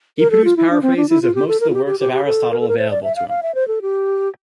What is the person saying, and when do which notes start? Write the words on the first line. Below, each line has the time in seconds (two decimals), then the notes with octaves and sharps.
He produced paraphrases of most of the works of Aristotle available to him.
0.18 A#4
0.31 A4
0.44 F4
0.57 E4
0.70 D4
0.82 C4
0.96 D4
1.09 E4
1.22 F4
1.35 G4
1.48 A4
1.60 A#4
1.70 F4
1.74 G4
1.86 G4
2.00 G4
2.13 G4
2.25 A4
2.51 A#4
2.60 A4
2.68 A#4
2.78 C5
2.90 D5
3.03 E5
3.16 F5
3.29 F5
3.43 E5
3.55 C5
3.68 A4
3.82 G4